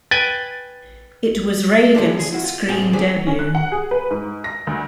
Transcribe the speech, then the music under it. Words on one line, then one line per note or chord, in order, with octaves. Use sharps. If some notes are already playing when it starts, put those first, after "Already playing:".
It was Reagan's screen debut.
B4 G5 G#5 A6
F3 G#3 D4 E4 A4 D5
G#4
E4 F#4
F4
A2 G3 C4 G4 G#4
D4 G4 G#4 C5 D5
C#4
F#6
F#5
G#4
B4
G#2
A#6
D2